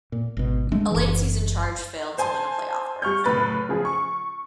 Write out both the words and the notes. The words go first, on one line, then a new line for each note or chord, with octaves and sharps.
A late season charge failed to win a playoff berth.
A#2
G#1 B2
F#3 G#3 A3 D4
F#1 E3
C5 G#5 A5 C6
G3 C#6 F6 G6
F#1 A2 B4 A6
C#3 F3 G#4
C#6